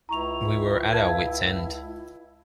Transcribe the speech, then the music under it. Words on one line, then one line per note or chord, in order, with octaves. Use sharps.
We were at our wits' end.
C#2 E4 A#5 C#6 F7
F5 A5 G#6